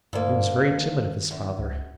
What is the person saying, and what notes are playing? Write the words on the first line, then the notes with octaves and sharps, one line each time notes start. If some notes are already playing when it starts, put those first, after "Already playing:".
He was very timid of his father.
D2 G2 A#3
D#3
F#2
C#2